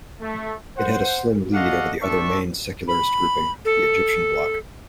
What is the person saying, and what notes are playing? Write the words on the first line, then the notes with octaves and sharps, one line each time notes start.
It had a slim lead over the other main secularist grouping, the Egyptian Bloc.
A3
C5 F#5
F#4 A4 D5 D#5 F5 F#5
C4 D4 A4 E5 C#6
B5
A4